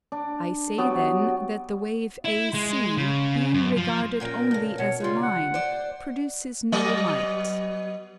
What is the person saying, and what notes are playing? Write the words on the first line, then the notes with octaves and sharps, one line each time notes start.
I say then that the wave AC, being regarded only as a line, produces no light.
D4
F#3 B3 G4
E4
G#3
C#3
F#2
F3
A#2 C#4 A#4 G5
G2 C#3
B2 C#5
C#3 G3 F4
F#5
C5 D5
F#3 B3 D#5